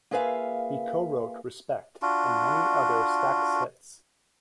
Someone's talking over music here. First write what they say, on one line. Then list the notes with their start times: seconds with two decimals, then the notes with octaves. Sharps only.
He co-wrote "Respect" and many other Stax hits.
0.11 A#3 F4 G#4 B4 E5 F5
2.02 D4 F4 F#4